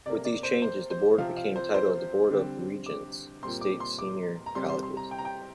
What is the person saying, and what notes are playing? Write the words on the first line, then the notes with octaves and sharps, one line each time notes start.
With these changes, the Board became titled the Board of Regents, State Senior Colleges.
C3 A#3 D5
D5
C5
C5
C5
C3 F3 C4 F5
F5
C5
C5
D3 G3 C4
D6
A#2 G3 C4 C6
D6
C6
D6
A#5
C3 G3 C4 C6
C6
C6
A#5
G5
A#5
G5